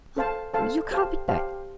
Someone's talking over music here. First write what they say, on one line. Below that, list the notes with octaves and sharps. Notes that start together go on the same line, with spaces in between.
Oh! your carpet-bag.
A4 C5 F5 A5
A4 C5 F5 A5
G4 C5 F5 A5
G4 C5 F5 A5